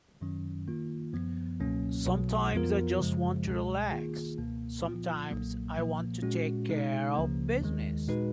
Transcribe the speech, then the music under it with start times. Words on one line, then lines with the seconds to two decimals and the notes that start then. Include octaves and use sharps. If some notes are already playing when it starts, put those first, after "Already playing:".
Sometimes I just want to relax, sometimes I want to take care of business.
0.21 F#2 D#3 F#3 C#4
0.67 D#3 A#3 F4
1.14 F#2 F3 B3
1.60 C#2 B2 F#3 A#3 C#4
2.06 B1 B2 F#3
2.53 F2 F3 B3 F4 A#4
2.99 F#2 C#3 F3 G#3
3.46 C#2 B2 G#3
3.91 D#3 A#3 F4 G#4
4.38 C#2 B2 A#3
4.84 A#2 F3 B3 F4
5.31 B1 A#2 F#3 A#3
5.77 A#2 F3 A#3
6.22 A#2 G#3 C#4 F#4
6.69 B2 G#3 D#4
7.15 C#2 C#3 F3 A#3
7.62 D#2 D#3 G#3
8.08 A#2 G#3 D#4 F#4 B4